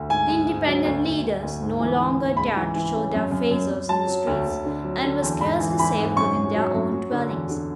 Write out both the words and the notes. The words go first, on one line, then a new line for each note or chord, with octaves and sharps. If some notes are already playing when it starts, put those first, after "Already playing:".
The Independent leaders no longer dared to show their faces in the streets, and were scarcely safe within their own dwellings.
Already playing: D2
G#2 G#5
G#2
G#2
F#3
D2
D2
D2
D2
G#2
E3
E3
G#2
C#2 B5
E3
E3
C#3
F#2
F#2
F#2
F#2
F#3 A5
F#3
D2
D2
D3
F#3
D3
E2
G#2 B5
E3
E3 B5
G#2
F#2 C#6
F#2
F#3
F#2
F#3
D3
E2
D3